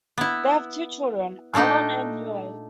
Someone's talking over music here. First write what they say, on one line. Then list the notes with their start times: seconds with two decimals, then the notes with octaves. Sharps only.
They have two children, Alon and Yoav.
0.18 B3 E4
1.54 A#2 A3 D4 D#4 G5